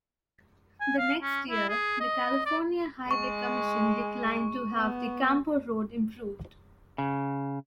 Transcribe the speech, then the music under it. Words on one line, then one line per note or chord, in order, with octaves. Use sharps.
The next year, the California Highway Commission declined to have the Campo road improved.
G#5
F5
C#4
E4
G#4
D#5
D5
G#3 C#6
B3
C#3